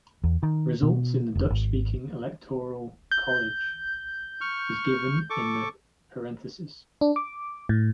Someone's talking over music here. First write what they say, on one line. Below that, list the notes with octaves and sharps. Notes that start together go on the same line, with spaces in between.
Results in the Dutch-speaking electoral college is given in the parenthesis.
E2
D#3
B2
F1
G#1
G6
C#6 F6
A4 C#6 D6
D4
D6
A2